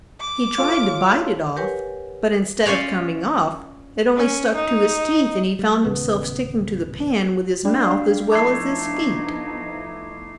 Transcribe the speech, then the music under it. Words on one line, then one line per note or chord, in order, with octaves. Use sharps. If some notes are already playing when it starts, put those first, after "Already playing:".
He tried to bite it off, but instead of coming off, it only stuck to his teeth and he found himself sticking to the pan with his mouth as well as his feet.
D6
F4 A4 C#5
G4 A#4 B4 C#5 F#5 G#5
C#4 F4 C#5 D5
C#4
D#4
G3
D#1 A1 C#3 B3
G3 D4 G4 F5
F3 A3 B3 D#4 E4 D6 G#6 C7